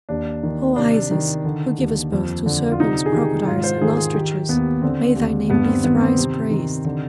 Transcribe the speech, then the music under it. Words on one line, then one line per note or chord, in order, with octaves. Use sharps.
O Isis, who givest birth to serpents, crocodiles, and ostriches, may thy name be thrice praised.
D#2 D4
D#3
C3 D4
D#3
D3
D#2
F2
D3
F4
C3 D#4
G#4
D#3 G4
G#2 F4
C5
D#3 G#4
G#4
D#3 G4
D#2 B3
D3 C4
D#2
G2 B3
C4
D#3 B3
C4
C3
D#3
D3